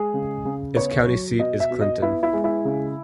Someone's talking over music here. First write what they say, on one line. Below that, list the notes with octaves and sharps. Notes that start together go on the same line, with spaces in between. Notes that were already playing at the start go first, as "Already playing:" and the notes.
Its county seat is Clinton.
Already playing: G#3 G#4
C#3
C#3
B3 C#5
F#3
B2 D#5
E5
B2
D#5
B3 E4
E4
G#3
E4
C#3